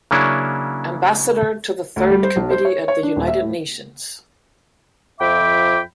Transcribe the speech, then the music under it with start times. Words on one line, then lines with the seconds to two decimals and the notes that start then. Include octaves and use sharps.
Ambassador to the Third Committee at the United Nations.
0.11 C#3 F#3 A#3 C#4 D4 E4
1.96 D2
2.11 G3
2.23 C5
2.36 B1
2.51 C5
2.65 C#5
2.88 C#5
3.03 D4
3.16 D#1
3.28 E5
3.41 A2
5.20 F2 F3 E5 G5 B5 D6